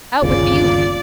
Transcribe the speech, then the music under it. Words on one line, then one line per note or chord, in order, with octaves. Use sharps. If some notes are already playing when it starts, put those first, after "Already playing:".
Out with the oof.
G1 D#2 C#3 F4 D5